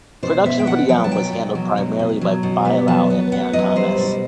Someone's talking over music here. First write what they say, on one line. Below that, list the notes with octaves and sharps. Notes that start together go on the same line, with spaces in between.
Production for the album was handled primarily by Bilal and Aaron Comess.
B2 C5
B3 E5
G5
B2 F#5
F#3 G5
A5
B2 G5
B2
F#3
B2
B2
F#3
B2
B3
F#3 A5
B3
B3 F#5
F#3 D#5
G3 C5
B2